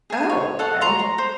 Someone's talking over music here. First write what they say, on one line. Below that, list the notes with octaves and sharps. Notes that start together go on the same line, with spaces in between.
Oh, okay.
G#4 G#5
C#5
A4 D#5 F5 F#5
A#5 C6 C#6
A#5
C5